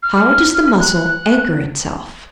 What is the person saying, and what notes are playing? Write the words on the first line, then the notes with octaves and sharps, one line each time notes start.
How does the Mussel anchor itself?
F6
F#6